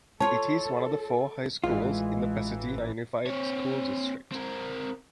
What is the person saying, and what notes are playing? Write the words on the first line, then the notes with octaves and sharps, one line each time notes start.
It is one of four high schools in the Pasadena Unified School District.
F4 A4 C#5 A5
A1 E3 G#3 F4
C4 C#5
C4 A#4